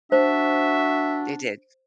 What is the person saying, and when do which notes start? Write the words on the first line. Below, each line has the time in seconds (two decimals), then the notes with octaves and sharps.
They did.
0.12 D4 F#4 C5 E5